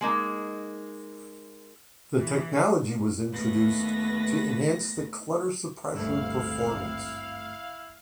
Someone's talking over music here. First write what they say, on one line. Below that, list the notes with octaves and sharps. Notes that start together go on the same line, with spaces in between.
The technology was introduced to enhance the clutter suppression performance.
G#3 A#3 D#4
E3
D#2 A3 B3 B4 A#6
G#1 D2 G2 A3 C4 E4 F5